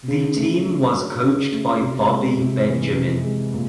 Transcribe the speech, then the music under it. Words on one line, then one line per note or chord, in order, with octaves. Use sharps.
The team was coached by Bobby Benjamin.
C#3
A3
D4
F#3
C#3
A3
C3
G#3
C3
E3
C3
G#3
A#2